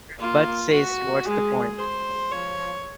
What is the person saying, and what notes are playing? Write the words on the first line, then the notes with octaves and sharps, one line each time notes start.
Bud says What's the point?
A#3 F4
F#4
G#3 G#4
C5
F3 C#5